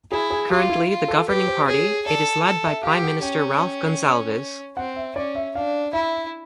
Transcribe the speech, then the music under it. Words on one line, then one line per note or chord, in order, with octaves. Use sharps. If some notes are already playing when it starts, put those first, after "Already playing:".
Currently the governing party, it is led by Prime Minister Ralph Gonsalves.
E4 G#4
G#4
F4 G4
E4
F4
A4
G4 B4
C5
G#4 C#5
A4 D5
A4
E5
G4 F5
F#5
C#4 G5
C4 F#5
E5
C#4 D5
E5
D4 F5
E4 E5